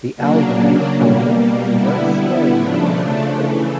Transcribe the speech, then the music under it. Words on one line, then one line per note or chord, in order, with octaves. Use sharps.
The Aldermen however were very slow in paying his bill.
C#3 F#3 A#3 D4
B2 G3 A#3
D3 G3 B3 E4
C#3 F3 A3 D4
C#3 E3 A3